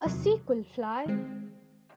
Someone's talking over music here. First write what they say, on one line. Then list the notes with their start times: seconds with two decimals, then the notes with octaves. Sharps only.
A sequel, Fly!
0.05 E2 C3 D#3 F#3
1.06 D#3 G#3 C4